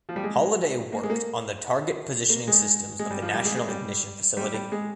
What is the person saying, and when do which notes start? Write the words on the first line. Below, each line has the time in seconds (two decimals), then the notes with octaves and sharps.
Holliday worked on the target positioning systems of the National Ignition Facility.
0.09 F3
0.16 G3
0.24 G#3
0.92 A#3
1.04 G#3
1.10 A#3
2.30 A#3
2.48 G#3
2.99 G#3
3.11 G3
3.22 F3
3.34 G3
3.45 G#3
3.57 G#3
3.68 G3
4.37 G3
4.54 G3
4.72 G#3